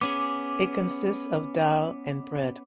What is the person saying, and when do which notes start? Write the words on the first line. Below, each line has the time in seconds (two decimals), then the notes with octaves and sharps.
It consists of Daal and bread.
0.01 B3 C#4 G#4 D6